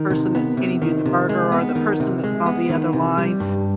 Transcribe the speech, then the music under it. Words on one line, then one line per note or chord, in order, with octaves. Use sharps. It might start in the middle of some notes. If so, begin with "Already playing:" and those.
person that's handing you the burger or the person that's on the other line,
Already playing: D#3
C3
B3
C3
D#3
C3
G#3
B3
D#3
C3
G#3
B3
D#3
C3
G3
G2